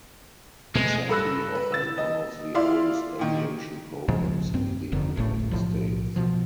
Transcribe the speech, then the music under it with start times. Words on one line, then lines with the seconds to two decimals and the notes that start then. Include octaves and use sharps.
Chaffey offers one of the oldest aviation programs in the United States.
0.75 B2 G#3 A3
1.09 G2 A4 B5 E6 F#6 A#6
1.55 B4
1.72 E6 A6
1.98 D#5
2.55 E4 F4 D5 F5 C6
3.19 A#2 D#3
4.08 B1 G#2 C#3 F3
4.54 G2 C4
4.92 F1 F2 D3 D#3
5.16 D1 G#1 A2 A3
5.51 B1 A2 F3
6.16 B2 F3